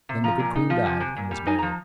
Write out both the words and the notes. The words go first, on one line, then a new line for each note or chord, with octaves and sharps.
Then the good queen died, and was buried.
C3
F3 A#5
A#2
D#4
F3
C3 G#5
C3
A#2
G3
D#4 G#5
F3 A#5